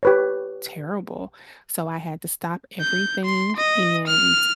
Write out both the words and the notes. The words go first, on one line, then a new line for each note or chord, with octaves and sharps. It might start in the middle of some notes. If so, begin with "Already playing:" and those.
terrible, so I had to stop everything and,
G4 B4 C#5
G6
C6
D#5
F6